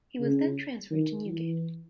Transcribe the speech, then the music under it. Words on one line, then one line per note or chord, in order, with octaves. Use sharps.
He was then transferred to Newgate.
C#3
D#3
E3